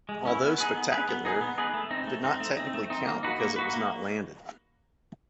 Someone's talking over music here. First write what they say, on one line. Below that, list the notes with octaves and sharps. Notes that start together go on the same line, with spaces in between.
Although spectacular, it did not technically count because it was not landed.
G#3
C#4 E4
B3
D#4 G#4 B4
B3
D#4 G#4 B4
B3
D#4 G#4 B4
B3
D#4 G#4 B4
A3
C4 D#4
A3
C4 D#4
A3
C4 D#4
A3
C4 D#4
A#3
D#4 F#4 B4
A#3
D#4 F#4 B4
A#3